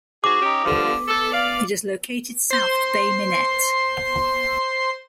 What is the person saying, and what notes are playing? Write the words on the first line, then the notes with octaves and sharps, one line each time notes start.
It is located south of Bay Minette.
G#2 F#4 G#4 D6
C#4 D#4 G4
G2 D3 F3
A4
D5 F5
C5 C6